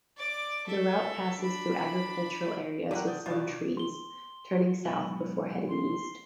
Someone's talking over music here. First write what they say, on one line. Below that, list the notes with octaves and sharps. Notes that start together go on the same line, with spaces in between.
The route passes through agricultural areas with some trees, turning south before heading east.
D5 D6
A4 E5
D4 B5
D3 F#3 G4 A#4 F#5
D5 D#6 G6
B2 D#3 F4 D5
C6 G7
G#2 B2 F#3
C6